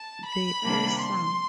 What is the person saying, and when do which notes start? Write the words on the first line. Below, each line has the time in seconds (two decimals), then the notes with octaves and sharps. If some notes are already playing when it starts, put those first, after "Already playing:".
They’re awesome.
Already playing: A5
0.26 B5
0.63 C3 D#3 G3 A#3 D4
1.00 C6